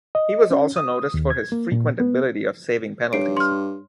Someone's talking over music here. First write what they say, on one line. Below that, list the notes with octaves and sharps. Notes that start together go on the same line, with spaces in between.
He was also noticed for his frequent ability of saving penalties.
D#5
C#4
D#6
D#2
G#6
A#3
A#2
B3
G2 C#5 C7 D7
C6 F6